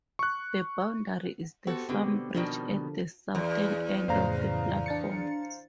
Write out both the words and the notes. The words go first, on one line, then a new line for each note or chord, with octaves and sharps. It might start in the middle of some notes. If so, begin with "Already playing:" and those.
The boundary is the farm bridge at the southern end of the platforms.
C#6 F#6
B3 F#4 G4 A4 C5
B2 D3 B3 C4 G4
B2 D#3 F3 G3 D4 A#4
D3 F3
E2
F2 A2 C#3 C5 F5 A#5
D4 A6 C#7